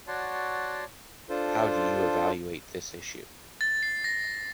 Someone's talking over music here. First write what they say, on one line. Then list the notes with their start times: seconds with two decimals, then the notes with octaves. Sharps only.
How do you evaluate this issue?
0.08 F#4 C#5 D5 F#5 A5 C6
1.29 D4 F4 A4 C5
3.61 A6
3.83 C7
4.04 A#6